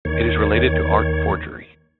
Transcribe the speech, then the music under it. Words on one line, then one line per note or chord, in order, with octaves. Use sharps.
It is related to art forgery.
D#2 D#3 C#5